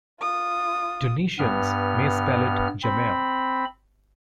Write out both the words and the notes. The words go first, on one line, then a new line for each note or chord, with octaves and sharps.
Tunisians may spell it "Jamel".
F4 D#6
G2 B3 F6
C4 B5